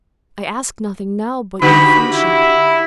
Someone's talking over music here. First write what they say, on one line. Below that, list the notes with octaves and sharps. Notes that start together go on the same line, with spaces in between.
I ask nothing now but your friendship.
D3 F#4 G4 B5
E4